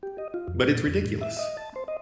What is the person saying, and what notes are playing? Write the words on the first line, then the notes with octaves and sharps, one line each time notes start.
But it's ridiculous!
G4
D#5
F4
F2
A#2
F2
A2
E5
D#5
A5
C5
D#5